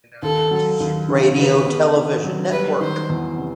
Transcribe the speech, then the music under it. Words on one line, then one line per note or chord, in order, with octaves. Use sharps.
Radio Television Network.
D#2 A4
F#3
D#2
D3
D#3 B4
B3
D#3
F#3
G3 B4
D#3 C5
E2
C3